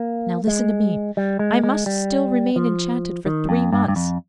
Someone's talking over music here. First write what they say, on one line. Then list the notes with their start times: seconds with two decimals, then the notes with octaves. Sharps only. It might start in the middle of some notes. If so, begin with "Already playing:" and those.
Now listen to me: I must still remain enchanted for three months.
Already playing: A#3
0.47 G#3
1.17 G3
1.39 G#3
1.64 G#3
1.86 G3
2.56 F3
3.26 D#3
3.49 F2
3.73 G2
3.88 G2
3.96 F2